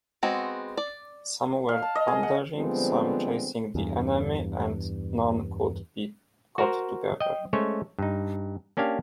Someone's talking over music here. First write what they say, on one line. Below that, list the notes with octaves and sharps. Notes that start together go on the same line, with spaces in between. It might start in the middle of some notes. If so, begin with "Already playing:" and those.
Some were plundering, some chasing the enemy, and none could be got together.
G#3 B3 C4 F#4
D5
F5
A5
D#5
G#4
F#5
D3 F3 G3 G#3 B3 C4
E2 G2
F#4 A#4 C5
D#5 G5
G#3 A3 C#4 C5 C#5
G2 D#4
A#3 C#4 D4 G4 F5